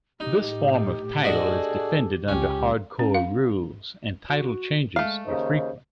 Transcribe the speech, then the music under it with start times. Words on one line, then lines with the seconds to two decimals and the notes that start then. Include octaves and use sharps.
This form of title is defended under hardcore rules, and title changes are frequent.
0.20 A2 D#4 G4
1.24 D4 F#4 G#4 A4 D#5
2.28 C#2 C#4 G4
2.99 C#4
3.14 F5
4.29 F#4
4.96 G#3 A3 F5
5.26 D#2 C#3 D#4 C5